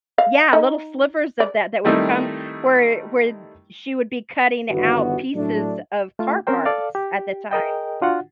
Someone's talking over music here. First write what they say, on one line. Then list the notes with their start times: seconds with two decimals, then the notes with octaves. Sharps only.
Yeah, little slivers of that that would come where where she would be cutting out pieces of car parts at the time.
0.18 F5
0.53 D#4
1.40 D5
1.85 D#3 G3 A3 C4 D#4 E4
4.70 G1 D#3 E3 B3 F#4
5.35 A2 F#3 A3 D4
6.19 A3 F4
6.47 C4 C#4 A#4 C5 G5
6.65 A4 D5 F5
6.95 G4
7.51 G#4 A#4 D#5 G5
8.02 D4 F4 F#4 F#5